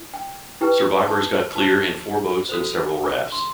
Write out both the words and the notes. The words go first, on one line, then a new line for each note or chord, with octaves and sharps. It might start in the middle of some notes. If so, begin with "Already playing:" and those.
Survivors got clear in four boats and several rafts.
Already playing: E4
G5
E4 G4 B4 G5
A5
F#4 C5 A5
F#4 A4 C5
C6